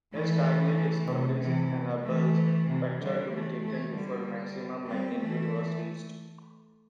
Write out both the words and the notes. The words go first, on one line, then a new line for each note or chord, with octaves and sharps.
His timely discoveries enabled spectra to be taken before maximum magnitude was reached.
E3 A3
C3
C3 E3
E3 A3
C3 E3
D3 G3
E3 A3
E3 A3
D3 G3
G3 C4
E3 A3